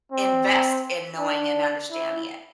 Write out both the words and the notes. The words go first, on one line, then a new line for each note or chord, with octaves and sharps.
invest in knowing and understanding it.
C4
D4
E4